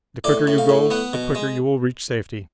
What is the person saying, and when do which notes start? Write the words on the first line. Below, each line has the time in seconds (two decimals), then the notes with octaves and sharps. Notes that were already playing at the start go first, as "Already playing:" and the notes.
"The quicker you go, the quicker you will reach safety."
0.24 A2 D5
0.47 A2
0.58 F5
0.69 A2
0.91 B3 F#5
1.13 B2
1.35 G#3